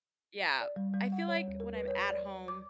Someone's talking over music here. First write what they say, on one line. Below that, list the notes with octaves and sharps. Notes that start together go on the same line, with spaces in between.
yeah, I feel like, when I'm at home
D5
G3
G3
F#5
C#5
D#2
A#4
B4
C#5
D5
D6